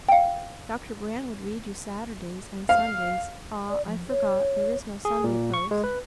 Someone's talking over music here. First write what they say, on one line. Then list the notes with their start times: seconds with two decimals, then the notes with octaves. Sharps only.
Dr. Brand would read you Saturday's and Sunday's--Ah, I forgot; there is no Sunday post.
0.09 F5 G5
2.69 F5
3.69 D5
3.85 F3
4.08 C#5
5.05 G#4
5.24 A#2
5.54 C#6
5.71 G#3
5.84 B4